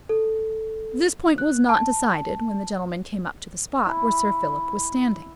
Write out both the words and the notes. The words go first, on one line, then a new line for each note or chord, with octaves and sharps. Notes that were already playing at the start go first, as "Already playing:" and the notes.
This point was not decided when the gentlemen came up to the spot where Sir Philip was standing.
A4
F#6
A5
E4